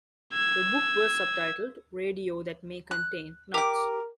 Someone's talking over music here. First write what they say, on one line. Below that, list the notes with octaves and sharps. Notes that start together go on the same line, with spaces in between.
The book was subtitled "Radio That May Contain Nuts".
E6 G#6
F#6
G4 A#4 D6